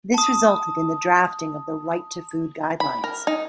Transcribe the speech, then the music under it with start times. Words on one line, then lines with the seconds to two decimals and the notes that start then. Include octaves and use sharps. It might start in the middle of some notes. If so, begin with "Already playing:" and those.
This resulted in the drafting of the Right to Food Guidelines.
0.14 A5 D#6
2.80 B5
3.04 A#4
3.27 D#4